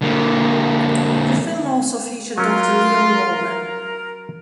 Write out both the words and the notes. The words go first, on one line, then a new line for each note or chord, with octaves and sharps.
The film also featured Doctor Leo Wollman.
D3 A#3
F#3 C#4 F4 A#4